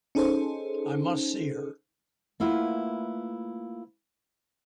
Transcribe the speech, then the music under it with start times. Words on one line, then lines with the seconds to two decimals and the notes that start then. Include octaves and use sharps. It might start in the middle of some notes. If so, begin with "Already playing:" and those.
I must see her.
0.15 C#4 D#4 G#4 A4 C5
2.40 A3 A#3 E4 F4 B4 F#5